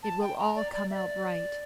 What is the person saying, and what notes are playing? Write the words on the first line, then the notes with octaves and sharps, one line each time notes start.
It will all come out right.
A5
G5
A#5
D5
D5
E5
D5